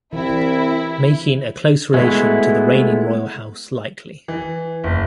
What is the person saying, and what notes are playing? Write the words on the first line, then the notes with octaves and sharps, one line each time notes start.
Making a close relation to the reigning royal house likely.
C2 E3 C4 E4
G#3 A3 B3 E4 F#4
E3
F#1